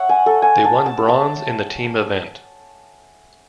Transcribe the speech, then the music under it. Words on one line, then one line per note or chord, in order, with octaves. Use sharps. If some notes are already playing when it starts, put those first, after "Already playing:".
They won bronze in the team event.
Already playing: C#5 E5 F#5
G#5
A4
G#5
A5
A5
A5